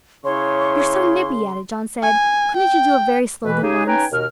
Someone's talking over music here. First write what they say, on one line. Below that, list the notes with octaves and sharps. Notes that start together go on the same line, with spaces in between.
"You're so nippy at it," John said, "couldn't you do it very slowly once?"
C#3 E4 C#5 C6 C#6
G#5
G5
B2 E3 B4
C#3 D#4 G4 G#4
C#4 D#4 B4 G5 G#5 A#5
D#2 B2 A#4 F6